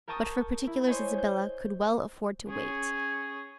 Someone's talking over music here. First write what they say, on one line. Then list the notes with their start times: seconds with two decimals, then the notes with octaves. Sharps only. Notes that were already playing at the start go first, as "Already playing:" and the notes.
But for particulars Isabella could well afford to wait.
0.08 A#4 G5 A5 C#6 D#6 A6
0.67 E4
0.87 C5 C#5 D#5 G#5
1.18 G6
2.48 C#4 G#4